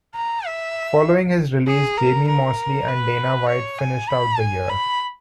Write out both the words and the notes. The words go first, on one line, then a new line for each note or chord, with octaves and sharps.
Following his release, Jamie Mosley and Dana White finished out the year.
A#5
E5
G#4
A#4
A#4
B4
C#5
G#5
B5
G#5
B5